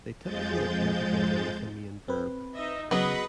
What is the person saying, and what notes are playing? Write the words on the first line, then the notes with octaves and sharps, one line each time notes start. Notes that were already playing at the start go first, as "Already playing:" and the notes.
They typically appear together with a main verb.
F2 F3 G#3 G6 A6
C4 B4
D#4 D#5 E5
C#3 F#3 B3 G#4 B4 D#5 B5